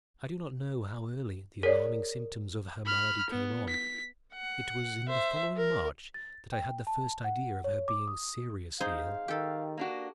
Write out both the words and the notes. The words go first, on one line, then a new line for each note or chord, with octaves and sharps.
'I do not know how early the alarming symptoms of her malady came on. It was in the following March that I had the first idea of her being seriously ill.
G#4 A#4 C#5 D5
B5 F6
B3
B6
F#5
C5 E5
A#4
A6
G5
A5
F#5
C#5
D6
D#6
D#4 G#4 C5 F5
D#3 G4 A4
A#3 D4 F#4